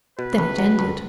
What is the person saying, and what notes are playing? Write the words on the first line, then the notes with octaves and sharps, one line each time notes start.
Then it ended.
B2 B4
C#2
F#3
C#2